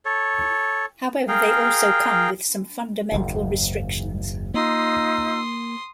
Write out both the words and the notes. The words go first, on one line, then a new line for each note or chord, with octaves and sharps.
However, they also come with some fundamental restrictions.
A4 C#5
G#4 A#4 F5 G5
F#1 D#2 G#2
A#3 D#4 F4 C6 D#6 E6